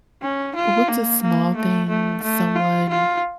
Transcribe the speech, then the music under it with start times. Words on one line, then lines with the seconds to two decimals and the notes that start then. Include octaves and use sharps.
what's a small thing someone,
0.22 C#4
0.55 F4
0.88 A#3
1.22 A#3
1.56 A3
1.89 A3
2.22 A3
2.56 F4
2.89 F4